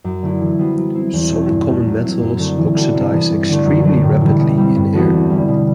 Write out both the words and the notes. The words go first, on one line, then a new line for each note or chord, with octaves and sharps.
Some common metals oxidize extremely rapidly in air.
F#2
D3 A3 E4
E3
G3 B3 F#4 C5
F#3
C4 E4
E2
B2 A3
G2
E3 A3
F#3
C4 E4
F#2
D3 A3
E3
G3 D4 F#4 A4
C3
E3 B3
G2
D3 A3
F#2
F#3 A3
A2
E3 G3
B2
G3 C4
G2
E3 B3 F#4 A4
E2
D3 G3
B2